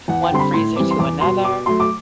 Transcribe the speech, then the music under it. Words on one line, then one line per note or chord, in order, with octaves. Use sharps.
one freezer to another?
E2 F#5
G5
D3 G3 C4 C6
B5
A2 C6
E3 G3 C4 D6
C6
E2 D6
B2 G3 C6
B2 D6
F#3 A3 C6
D6